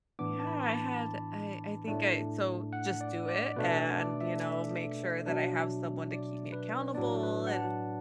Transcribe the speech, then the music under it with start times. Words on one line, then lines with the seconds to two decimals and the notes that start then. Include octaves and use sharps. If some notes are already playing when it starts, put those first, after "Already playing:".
Yeah. I had I I think I so just do it and, you know, make sure that I have someone to keep me accountable, and,
0.19 A2 E3 B3 D4 D6
0.40 A5
0.47 B5
0.67 B5
0.75 A5
1.88 A2 A3 D4
2.73 F#5
3.01 D5
3.29 D5
3.56 B2 A3 D4 B4
3.78 A4
3.99 D5
4.21 E5
4.41 E5
5.26 B2 F#3 D4
6.11 D5
6.52 B4
6.95 A2 F#3 D4 D5
7.23 B4
7.47 F#5
7.51 A5